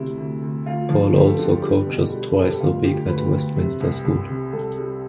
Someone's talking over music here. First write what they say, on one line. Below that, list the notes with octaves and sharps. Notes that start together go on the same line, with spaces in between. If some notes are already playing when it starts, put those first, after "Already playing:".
Paul also coaches twice a week at Westminster School.
Already playing: D2 C3 E4
D2
D2
D2 F4
F3
D2 G4
A4
D3 G4
G3
B2
G3
B4
G3 A4
G4
D2 F4
D2 G4
D2 B4
D2
C3
C2
C2
C3
C2 A4
G3